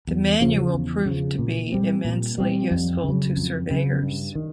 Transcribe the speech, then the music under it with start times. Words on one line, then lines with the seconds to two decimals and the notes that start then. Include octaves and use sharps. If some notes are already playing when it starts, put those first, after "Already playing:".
The Manual proved to be immensely useful to surveyors.
0.07 E2
0.41 C#3 F3
0.74 E2
1.06 C#3 F3
1.39 A#2
1.72 G3 C4
2.05 A#2
2.38 G3 C4
2.71 F2
3.03 C#3
3.08 F#3
3.37 F2
3.70 C#3 F#3
4.03 G2
4.35 D#3